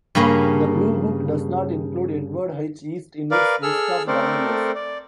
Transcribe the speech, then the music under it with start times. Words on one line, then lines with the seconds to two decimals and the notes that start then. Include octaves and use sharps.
The "Blue Book" does not include Edward H. East in its list of governors.
0.15 G2 C#3 A#3 C#4
3.31 A#4 B4 D5 F5
3.63 G#4 A4 E6 F6
4.07 A3 C4 A4 A#4 C5 D5
4.75 D5